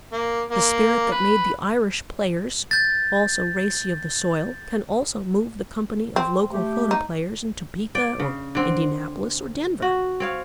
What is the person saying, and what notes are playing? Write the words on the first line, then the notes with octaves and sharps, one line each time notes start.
The spirit that made the Irish Players, all so racy of the soil, can also move the company of local photoplayers in Topeka, or Indianapolis, or Denver.
A#3
A#3
B4
G6 A6
C4
A3 G4
D#4
D5 G5
C#3
D3 C4
F#4
C4 C#5 F5